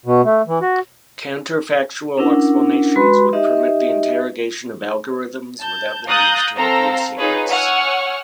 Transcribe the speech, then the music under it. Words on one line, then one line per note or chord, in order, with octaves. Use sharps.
Counterfactual explanations would permit the interrogation of algorithms without the need to reveal secrets.
B2
A3
E3
F#4
C#4 D4 E4 A#4 F#5
G#3 F#4 B4 B5 C6
D#4 G4 D#5 E5
A5 G6
F5 A#5 D#6 F#6 G6 A6
C4 A4 C5 F5 A#5 E6
D#4 F4 G#4 B4 C#5
C#5 F#5 G#5 C#6 E6 F6